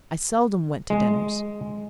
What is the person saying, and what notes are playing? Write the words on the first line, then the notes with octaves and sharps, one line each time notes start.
I seldom went to dinners.
G#3